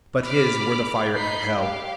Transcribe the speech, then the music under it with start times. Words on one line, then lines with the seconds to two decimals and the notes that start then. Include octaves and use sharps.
But his were the fire of hell.
0.24 B5 D6 F6
1.16 D#4 B5 G6 C7
1.53 G4 F5